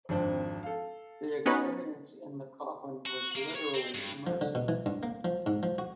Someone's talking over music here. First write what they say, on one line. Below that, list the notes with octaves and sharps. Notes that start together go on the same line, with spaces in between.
The experience in the coffin was literally immersive.
G#1 F2 D4 C5
A4 F5
B3 C#4 D#4 F#4 B4
F#4
A#3
C#5
C4
G2
F3
D3
B2
E3
G2
A#3
F3
G#2
F3
F#4